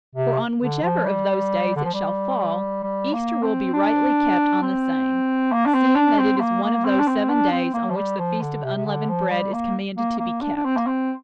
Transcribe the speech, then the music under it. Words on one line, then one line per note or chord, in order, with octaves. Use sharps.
For on whichever of those days it shall fall, Easter will be rightly kept on the same; seeing that it is one of those seven days on which the feast of unleavened bread is commanded to be kept.
C3
D3
F3
G3
D3
F3
G3
G3
A#3
C4
D4
C4
A#3
D4
C4
D4
C4
C4
A#3
A#3
C4
D4
C4
D4
C4
A#3
F3
G3
F3
D3
C3
C3
D3
F3
G3
A#3
A#3
A#3
D4
D4
C4
A#3
C4